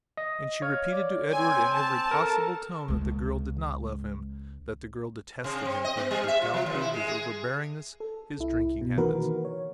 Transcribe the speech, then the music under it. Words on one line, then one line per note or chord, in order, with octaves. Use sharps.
And she repeated to Edward in every possible tone that the girl did not love him; that the girl detested him for his brutality, his overbearingness, his drinking habits.
D#5
C#5 F5
D5
C4 G#5
A5
A4 A#4
C#2 G#3
C3
C4
D#5
B3
G3
E5
F4
F3
D#2
E4
G#3
G#4
A4
C2 E4
B2
D#3 E3 A#3 F#4 A#4 B4
C#5